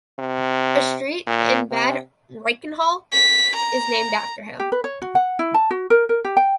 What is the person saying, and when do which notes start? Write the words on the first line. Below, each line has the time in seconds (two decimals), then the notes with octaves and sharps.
A street in Bad Reichenhall is named after him.
0.19 C3
1.27 A#2
1.71 C3
3.13 B6
3.56 A#5
4.60 G4
4.72 B4
4.84 C#5
5.02 F#4
5.15 F#5
5.39 E4
5.54 A5
5.71 F#4
5.90 A#4
6.09 A#4
6.25 G4
6.37 G5